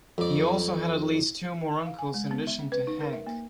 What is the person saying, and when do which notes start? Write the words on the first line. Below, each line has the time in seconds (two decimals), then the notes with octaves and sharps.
He also had at least two more uncles in addition to Hank.
0.18 F2 D5
1.86 F5
1.99 G#5
2.14 G#3
2.31 B3
2.47 E5
2.59 C#4
2.72 B4
2.87 D#4
3.01 A#4
3.13 E5
3.27 A#3